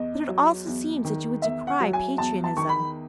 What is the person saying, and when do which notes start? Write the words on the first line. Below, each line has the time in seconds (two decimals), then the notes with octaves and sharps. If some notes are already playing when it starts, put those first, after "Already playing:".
"But it also seems that you would decry patriotism."
Already playing: E2 D#5
0.29 F#3
0.67 E2
1.05 D#3
1.42 E2 E5
1.67 F#5
1.80 F#3
1.93 G#5
2.18 E2 A5
2.44 A5
2.57 D#3 C#6
2.69 B5